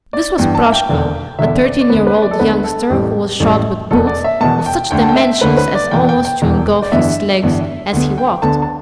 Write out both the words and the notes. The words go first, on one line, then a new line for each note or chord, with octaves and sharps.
This was Proshka--a thirteen-year-old youngster who was shod with boots of such dimensions as almost to engulf his legs as he walked.
D5
G2 E3 B3 G5
A5
E5
G5
E1 E2 D3
E1 E2 D3 E5
D5
D5
D2 D3 B3 B4
B4
D5
A4
D2 D3 B3 B4
A4
A1 A2 G3 G4
A1 A2 G3
E1 E2 B2 B3 A4
D5
E5
E1 E2 B2 B3 A5
G5
D2 D3 A3 G5
A5
G5
E5
D2 D3 A3 B4
B4
D5
E1 E2 E3 G5
G5
G5
E1 E2 E3
D5
G1 G2 E3 B3 E5
G1 G2 E3 B3
D2 D3 B3
G5
D2 D3 B3 A5
A5